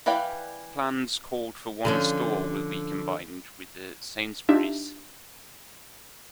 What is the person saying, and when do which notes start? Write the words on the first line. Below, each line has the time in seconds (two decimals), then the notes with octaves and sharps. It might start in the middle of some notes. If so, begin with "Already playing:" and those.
Plans called for one store will be combined with a Sainsbury's.
0.06 E3 B4 D5 F5 G5
1.85 D3 F3 C#4
4.49 D4 D#4 F4 G4 E5